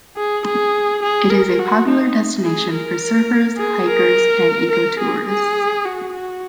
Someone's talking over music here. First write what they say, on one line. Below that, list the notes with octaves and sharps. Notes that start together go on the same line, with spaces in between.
It is a popular destination for surfers, hikers and ecotourists.
G#4
G#4
G#4
A#4
F#4
D#4
G#4
A#4
G#4
A#4
A#4
G#4
G#4
F#4
F#4